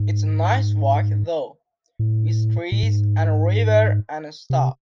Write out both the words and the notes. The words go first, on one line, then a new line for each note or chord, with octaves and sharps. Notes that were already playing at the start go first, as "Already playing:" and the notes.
It's a nice walk though, with trees and a river and stuff.
Already playing: G#2
A2
A2
G#2
C3